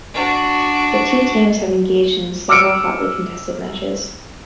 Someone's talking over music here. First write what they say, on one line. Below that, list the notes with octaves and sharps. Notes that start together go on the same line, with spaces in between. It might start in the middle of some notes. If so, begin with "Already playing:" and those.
The two teams have engaged in several hotly contested matches.
D4 F#4
D6 E6 F6 C#7 D7